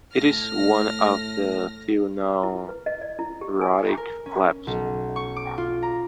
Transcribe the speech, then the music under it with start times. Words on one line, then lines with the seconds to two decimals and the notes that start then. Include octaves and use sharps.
It is one of the few non-rhotic flaps.
0.16 A2 A3 F6 A#6
2.43 E4
2.69 B4
2.86 D#5
3.01 D5
3.19 E4
3.41 G4
3.61 G#5
3.97 A#4
4.26 C#4
4.67 B1
5.16 C#6
5.36 D6
5.58 F4
5.82 A#5